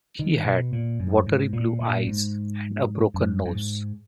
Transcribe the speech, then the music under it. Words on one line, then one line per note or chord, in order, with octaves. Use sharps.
He had watery blue eyes and a broken nose.
D#3
B2
A#2
F#2
G#2
A#2
A#2
G#2
F#2
F#2
G#2